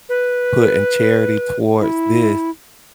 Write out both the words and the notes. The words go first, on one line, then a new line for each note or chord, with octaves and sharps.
putting charity towards this,
B4
E4